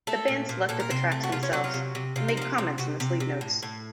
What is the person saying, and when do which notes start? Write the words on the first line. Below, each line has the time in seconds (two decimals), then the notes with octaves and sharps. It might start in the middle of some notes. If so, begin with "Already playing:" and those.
The band selected the tracks themselves, and made comments in the sleeve-notes.
0.07 A3 A4
0.28 A#2
0.49 A#2
0.69 A#2 A4
0.80 A#4
0.90 C3 C5
1.12 A3
1.23 F#4
1.32 C3 F4
1.43 C#4
1.53 F#3 F#4
1.64 F4
1.74 C3
1.95 C3
2.16 C3 F4
2.28 D#4
2.37 F3 F4
2.58 C3
2.78 C3 F#4
3.00 C3
3.20 C3
3.41 A2
3.63 A2